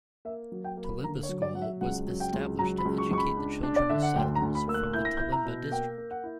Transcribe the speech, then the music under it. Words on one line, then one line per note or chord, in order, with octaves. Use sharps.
Tallimba School was established to educate the children of settlers from the Tallimba District.
A#3 E5
F#3
G5
A#3
B5
D3 A#5
C#5
F#3
D5
F#3 F#5
E5
C#2 F#5
F#3
G5
C#2
F#3 A#5
B5
C#2
C#6
C#2 C#6
B5
D4
D4
D5
D3 E5
F#5
D2 G5
A#5
D2
B5
A#3 E6
F#6
E4 G6
A#6
E4 G6
A#5
B2
A#3 G5
A#3
F#5
E4